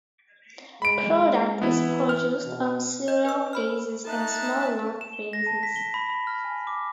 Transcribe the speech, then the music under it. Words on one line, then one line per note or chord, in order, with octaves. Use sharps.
Product is produced on serial basis and small lot basis.
G#3 B5 D7
E3 B3 E4
F6
B2
D#5 G6
B4 E6
C5 B5 F6
D#4 E5 A5 F#6
E7
G7
A#6
A5
B6
G7
B5
B5
F6
G#5
D6